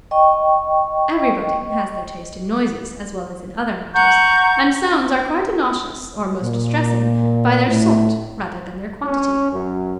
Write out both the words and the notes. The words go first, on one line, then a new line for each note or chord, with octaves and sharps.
Everybody has their taste in noises as well as in other matters; and sounds are quite innoxious, or most distressing, by their sort rather than their quantity.
D#5 G5 C#6
F#5 A#5 C#6 G6
A#2
A2
C#4
F#2